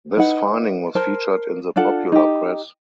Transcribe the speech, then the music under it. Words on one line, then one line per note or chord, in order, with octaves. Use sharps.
This finding was featured in the popular press.
D#4 B4 F#5
A#4 C5 A5
D4 F4 A4 F#5
D#4 G4